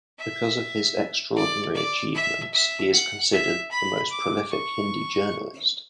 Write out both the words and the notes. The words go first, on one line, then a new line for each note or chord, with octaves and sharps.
Because of his extraordinary achievements, he is considered the most prolific Hindi journalist.
E5
D5
D5
E5
E5
F#5
E5
B5
D6
C#6